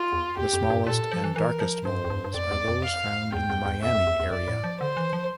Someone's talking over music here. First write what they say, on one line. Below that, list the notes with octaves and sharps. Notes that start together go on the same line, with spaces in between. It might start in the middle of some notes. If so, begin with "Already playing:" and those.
The smallest and darkest moles are those found in the Miami area.
Already playing: F4
E2
E2 G4
F2
G2
A#2 A4
F3
E3
E3 A#4
F3
G2 C5
F2
G2
G2
F2 D5
E2
F2
F5
E2 G5
E2
E2
F2 E5
F2
E2
E2
F2 D5
A2
F3
D3 C5
E3
F3